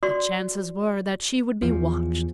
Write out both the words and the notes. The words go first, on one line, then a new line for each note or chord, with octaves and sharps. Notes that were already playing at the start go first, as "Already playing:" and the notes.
The chances were that she would be watched.
F#4 D5 C6
E2 F3